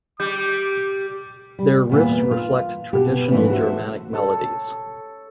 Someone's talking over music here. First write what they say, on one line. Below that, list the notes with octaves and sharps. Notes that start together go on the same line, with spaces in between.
Their riffs reflect traditional Germanic melodies.
G3 D6 G6
G3
E2 A#2 B3
F4
B2 G4
F2 G#2 B2 E3 A3 C#4
F#4 G4 A4 B4 C5 E5
A4 C#5